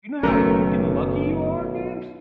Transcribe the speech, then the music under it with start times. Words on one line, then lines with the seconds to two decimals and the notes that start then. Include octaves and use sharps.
You know how freaking lucky you are, man?
0.23 F#1 B1 D#3 F#3 A3 C#4 A#4